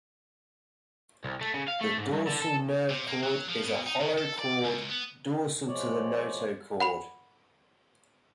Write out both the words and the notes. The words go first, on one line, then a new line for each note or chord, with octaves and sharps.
The dorsal nerve cord is a hollow cord dorsal to the notochord.
C2
A3
C#3
F5
A3
G#2
G2
D3
A4
C3
A#3
F#3
F3
B2
D#4
C#3
A4
D5
C#2
B3
F3 G#3 C#5 D5
F#5 B5 F7